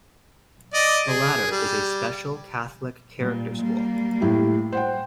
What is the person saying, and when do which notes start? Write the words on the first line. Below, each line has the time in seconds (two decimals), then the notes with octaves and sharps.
The latter is a special catholic character school.
0.74 D5 D#5
1.07 G#4
1.51 G3
3.18 A#2 G3
3.60 G3 A#3
4.21 A2 E4 G4
4.72 C5 F#5 G5